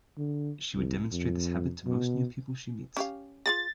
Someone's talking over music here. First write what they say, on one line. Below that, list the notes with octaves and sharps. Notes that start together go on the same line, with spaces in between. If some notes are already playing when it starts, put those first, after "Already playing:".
She would demonstrate this habit to most new people she meets.
D3
C2
F2
B2
C#4 G4 F5
F4 F#4 G#4 A6